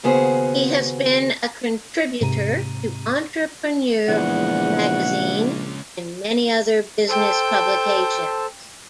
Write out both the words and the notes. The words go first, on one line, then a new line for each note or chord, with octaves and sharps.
He has been a contributor to "Entrepreneur Magazine," and many other business publications.
D#2 C#3 B3 F#4 G#4 C5
G#2 C3 A#5 D#7
A#1 E2 C#3 G#3 F#5
A4 C5 G5 A5